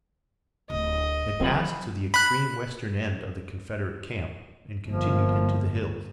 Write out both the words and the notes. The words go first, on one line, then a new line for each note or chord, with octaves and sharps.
They passed to the extreme western end of the Confederate camp, and continued into the hills.
D1 D#5
D#3 F#3 A#3 C4 F4 G#4 B5
B5 F#6
G1 F3 A#3